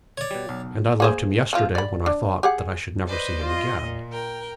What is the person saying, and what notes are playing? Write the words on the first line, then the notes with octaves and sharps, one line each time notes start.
And I loved him yesterday, when I thought that I should never see him again.
C#5 D5
B2 G3
B1
A#3 G#4 C5
E3 F3 F4
D5 B5
D4
G4 G#4 F#5
B4 C5 D5 D#5
F4 D#5
A#2
A#4 G5